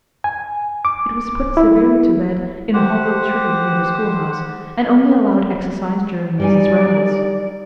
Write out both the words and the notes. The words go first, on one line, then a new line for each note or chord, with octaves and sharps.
It was put severely to bed in a hollow tree near the schoolhouse, and only allowed exercise during Mliss's rambles.
G#5
D6
E4
G4 C5 F#5
G3 D#4 D5 G#5